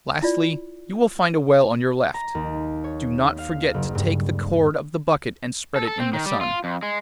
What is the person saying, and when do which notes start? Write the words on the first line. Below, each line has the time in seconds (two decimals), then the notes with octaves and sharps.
Lastly, you will find a well on your left; do not forget to take the cord of the bucket and spread it in the sun.
0.23 E4 F4 D5
2.14 A#5
2.35 D#2
2.84 C#5
3.38 F5
3.74 F#1
3.95 G2
5.76 A4
5.87 A4
6.00 C4
6.13 D#3
6.26 G3
6.41 F4
6.64 F2
6.83 G#3